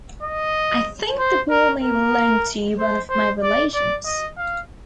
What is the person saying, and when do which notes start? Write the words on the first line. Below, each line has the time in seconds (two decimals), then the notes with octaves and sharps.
I think the ball may belong to one of my relations.
0.23 D#5
1.18 C5
1.50 A#4
1.82 A#4
2.79 C5
3.09 C5
3.42 D5
3.74 D5
4.06 D#5
4.38 F5